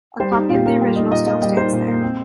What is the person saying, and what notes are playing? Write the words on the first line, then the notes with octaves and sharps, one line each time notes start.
A copy of the original still stands there.
G3 C5
G4
D#4
A#2 F4 G4
A#3 A#4
G3
D#4 D#5
A#2 D#5
A#3 D#5
G3 D#5
D#4 C5
A#2
A#3
C4